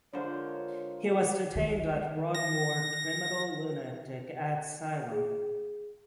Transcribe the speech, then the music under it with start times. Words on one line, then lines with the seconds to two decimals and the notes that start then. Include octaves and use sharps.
He was detained at Broadmoor Criminal Lunatic Asylum.
0.13 D3 G#3 F4 A#4 C5 C#5
1.55 D#3
2.35 A#6
5.12 G#4